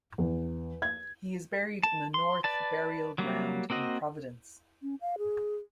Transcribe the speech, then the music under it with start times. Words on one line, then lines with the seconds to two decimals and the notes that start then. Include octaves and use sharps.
He is buried in the North Burial Ground in Providence.
0.18 E2
0.82 G#6
1.83 A5
2.14 C6
2.44 B4 D5 A5
3.18 F#3 G3 A#3
3.70 A#3 C4 F#4 D#5
4.82 C#4
5.01 F5
5.18 G#4